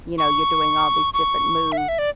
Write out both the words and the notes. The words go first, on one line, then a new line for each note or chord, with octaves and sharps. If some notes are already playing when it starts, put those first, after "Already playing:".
you know, you're doing all these different moves.
C#6
C#6
E5
F#5
E5
D5